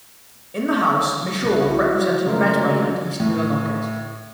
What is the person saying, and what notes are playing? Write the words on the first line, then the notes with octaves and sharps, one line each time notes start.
In the House, Michaud represented Medway and East Millinocket.
C2 B4
E4 F#4
C#3 F#3 G#3 A3 F4 A#4
A2